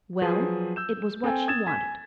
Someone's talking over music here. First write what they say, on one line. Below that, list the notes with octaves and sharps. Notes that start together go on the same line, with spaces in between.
Well, it was what she wanted.
F3 F#3 G#4 B4 C5
E6 G6 E7
C4 A4 G5 G#5
D#6 G#6 A6 E7
G#5 G#6 B6